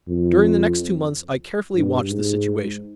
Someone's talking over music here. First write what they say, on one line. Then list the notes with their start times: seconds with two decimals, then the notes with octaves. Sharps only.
During the next two months I carefully watched the situation.
0.08 F2
1.75 G2
2.09 G#2